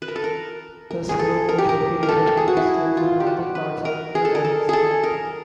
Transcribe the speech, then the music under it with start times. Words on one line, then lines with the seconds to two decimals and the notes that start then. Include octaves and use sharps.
The Suomujoki river flows through the northern parts of the diverse park.
0.02 B4
0.08 A#4
0.16 A4
0.24 A#4
0.91 A#4
1.09 G#4
1.19 A4
1.49 A#4
1.58 G4
1.69 A#4
2.03 A#4
2.09 A4
2.37 G#4
2.48 F#4
2.57 E4
2.97 F4
3.20 G4
3.27 F#4
3.55 B4
3.85 A#4
4.15 G#4
4.25 A4
4.35 A#4
4.44 A4
4.69 G#4 A4
5.03 A#4